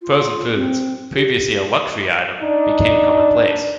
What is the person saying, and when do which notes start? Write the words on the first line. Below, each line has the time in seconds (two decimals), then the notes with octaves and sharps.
Frozen foods, previously a luxury item, became commonplace.
0.02 F4
0.54 C4
1.17 G4
2.42 D4 D#4